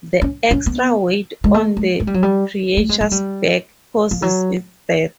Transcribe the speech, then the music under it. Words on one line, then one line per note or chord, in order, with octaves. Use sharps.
The extra weight on the creature's back causes its death.
C#4
C#4
B3
G#3
A3
G#3
G#3
G3
F#3
G3
A3
G#3
G#3
G3
F3
F#3